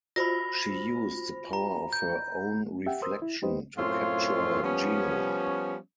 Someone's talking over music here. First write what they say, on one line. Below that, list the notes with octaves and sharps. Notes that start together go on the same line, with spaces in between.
She used the power of her own reflection to capture Genua.
F4 F#4 C5 B5 A#6
A#5
G6
G4 E5 F#5 G5
A#4 C5 C6 D#6 E6
E4
G#3 D#4 G4 B4 C5 D#5
F#2 A2 C4 F4 C#5 F5
F3 G3 B3 C#4